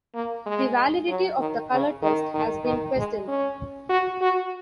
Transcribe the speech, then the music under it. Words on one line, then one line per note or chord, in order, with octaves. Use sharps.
The validity of the color test has been questioned.
A#3
G#3
F#3
D#3
C#3
D#3
D#3
D#3
G#3
C#4
F#4
F#4